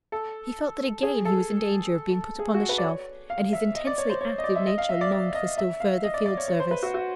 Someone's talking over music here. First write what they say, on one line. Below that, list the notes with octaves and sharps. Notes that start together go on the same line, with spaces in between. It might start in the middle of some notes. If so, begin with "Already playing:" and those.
He felt that again he was in danger of being put upon the shelf, and his intensely active nature longed for still further field service.
A4
G#4
A4
G#4
F#4
B4
D5
C#5
F5
E5
D#5
D5
C#5
C5
C#5
D#5
D5
E5
D#5
F5
E5
D5
D5
D#5
E5
F5
D#5
D5
D5
C#5
C#5
C5
B4
F#4
F#4